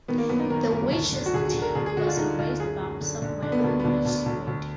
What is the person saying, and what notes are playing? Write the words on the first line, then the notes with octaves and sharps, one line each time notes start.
The witches' teat was a raised bump somewhere on a witch's body.
D#3 B3
A#3
F#2 B3
D#4
D#3 A#4
F#2
D2
D3
F#4
D2 G#4
F#4
D3
A#4
D2 G#4
G#4
D3 F#4
F4
D3 D#4
D2 F4
F#2 G#4
F#2
D3
D3
D3 D4
B3
A#3
D2 B3
B3
D2 D4
D2
D2
D2